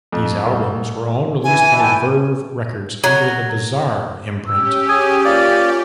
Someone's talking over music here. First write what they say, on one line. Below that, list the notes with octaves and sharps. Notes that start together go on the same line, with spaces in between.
These albums were all released by Verve Records under the Bizarre imprint.
F2
C2
E3 G#5
G5 A5
F#3
C#4 G4 E6
G#4 G#5
A#3 F4 D5